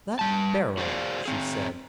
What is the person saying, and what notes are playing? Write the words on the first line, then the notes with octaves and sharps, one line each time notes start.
'That barrel!' she said.
G3 A5
F#4 G#4 C5 D5 F5
C4 G#4